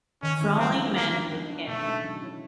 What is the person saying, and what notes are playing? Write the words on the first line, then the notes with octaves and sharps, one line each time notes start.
Frowning man with camera.
D#3 C#4
G#3 C#4 E4
F#3 C4
B3 D4 F4
F#3 A#3
B3 D#4 G4
B3
D4 F#4
B2 A3
G#3 C#4 E4 A4
F#3
B3 E4 A4 C#5